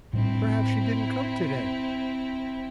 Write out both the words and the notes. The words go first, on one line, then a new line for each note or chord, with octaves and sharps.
"Perhaps she didn't come today."
A2 G3 C4 D4 E4